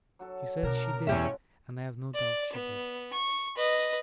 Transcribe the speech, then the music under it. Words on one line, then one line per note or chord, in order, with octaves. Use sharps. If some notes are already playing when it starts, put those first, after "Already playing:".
She said she did, and I have no doubt she did.
F#3 F#4 A4
B2 D4 A4 A#4 A5
E2 C#3 G#3 C#4 G4 A4 E5
D5
B3
C#6
B4 D#5